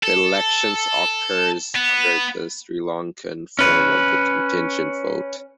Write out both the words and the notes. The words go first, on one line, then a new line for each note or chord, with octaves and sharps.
The election occurs under the Sri Lankan form of the contingent vote.
A4
B3
C#4 B4